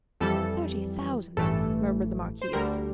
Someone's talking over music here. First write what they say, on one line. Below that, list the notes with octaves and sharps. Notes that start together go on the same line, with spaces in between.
"Thirty thousand," murmured the marquise.
F2 E3 G3 A4
A1 G2 E3 A3 A4
C5
D2 D3 G3 A#4